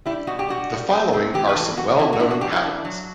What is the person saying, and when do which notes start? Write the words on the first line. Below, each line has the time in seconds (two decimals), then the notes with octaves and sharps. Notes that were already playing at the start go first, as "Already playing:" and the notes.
The following are some well known patterns.
0.06 G3 E4
0.27 B2 F#4
0.39 G4
0.49 G3 F#4
0.70 G3
0.91 C4
1.13 C4
1.34 E3 G4
1.49 B4
1.55 E3 A4
1.77 E3 F#4
1.98 E3 E4
2.13 F#4
2.20 D4 E4
2.31 F#4
2.41 E3 G4
2.52 E4
2.63 D4
2.85 F#3